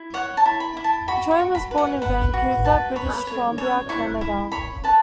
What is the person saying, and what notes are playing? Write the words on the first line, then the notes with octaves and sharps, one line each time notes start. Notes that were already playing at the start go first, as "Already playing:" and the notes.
Choi was born in Vancouver, British Columbia, Canada.
Already playing: E4
C#5 F#5
A5
E4
B5
E4
A5
F#4 B5
C#6
F#4
B5
B4
F#5
B4 F#5
F#4
B4 A5
C#5 B5
C#5
C#5
E4 C#6
E4
C#5 B5
B4 A5